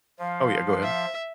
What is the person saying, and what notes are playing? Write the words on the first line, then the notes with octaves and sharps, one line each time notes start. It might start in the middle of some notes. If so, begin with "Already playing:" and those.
oh, yeah, go ahead.
F3 F5
E5